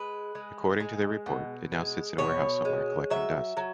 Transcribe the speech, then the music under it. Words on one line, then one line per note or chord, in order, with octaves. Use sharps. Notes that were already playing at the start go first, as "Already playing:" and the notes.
According to their report, it now sits in a warehouse somewhere, collecting dust.
Already playing: G#3 B4
G#3
G#3
B2
G#3
B2 C#5
G#3
F#3 E5
F#3